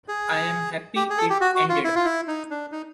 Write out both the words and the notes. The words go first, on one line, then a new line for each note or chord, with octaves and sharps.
I am happy it ended.
G#4
G4
G#4
A4
G4
F#4
F#4
F4
E4
F4
E4
D#4
D4
D#4